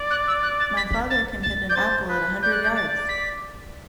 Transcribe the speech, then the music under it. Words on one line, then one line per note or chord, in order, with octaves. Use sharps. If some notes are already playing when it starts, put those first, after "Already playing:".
My father can hit an apple at a hundred yards!
Already playing: D5
F#6
E6
F#6
A6
B6
B6
A6
A6
D5 G6
C5 A6
B4
D5 G6
F#6
G6
A6
B6